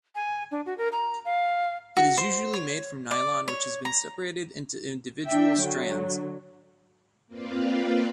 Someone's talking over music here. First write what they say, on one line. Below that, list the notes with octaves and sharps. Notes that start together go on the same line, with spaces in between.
It is usually made from nylon which has been separated into individual strands.
G#5
D4
F#4
A#4
A#5
F5
F#4
C5
C#5
D5
C#5
A#5
D4 E5 G5
D3 F#3
A#3 C4 F4 B4 D5 F5